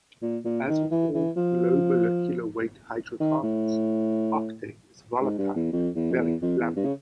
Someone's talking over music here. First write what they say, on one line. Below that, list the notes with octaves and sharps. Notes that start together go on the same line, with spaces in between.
As with all low-molecular-weight hydrocarbons, octane is volatile and very flammable.
A#2
A#2
D#3
E3
E3
F3
D#3
A2
G#2
G2
E2
F2
E2
F2
E2
F2
E2
G2
C#3